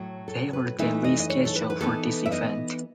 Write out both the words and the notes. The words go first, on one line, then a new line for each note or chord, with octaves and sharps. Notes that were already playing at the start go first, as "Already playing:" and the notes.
They were then rescheduled for this event.
Already playing: A2 F#3 A3
A4
B4
E3 A3 D#4 E5
D#5
D#5
C#5
A4
B4
B4
E3 B3 D#4 A4
E5
D#5